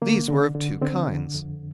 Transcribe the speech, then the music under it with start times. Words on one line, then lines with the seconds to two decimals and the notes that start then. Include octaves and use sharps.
These were of two kinds.
0.02 D3 A#3
0.28 D3
0.55 D3
0.81 D3 C4
1.08 D3
1.35 F2